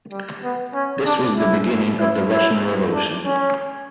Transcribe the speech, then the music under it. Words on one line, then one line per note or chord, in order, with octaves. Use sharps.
This was the beginning of the Russian Revolution.
G3
B3
C#4
D4
E4
E4
E4
D4
C#4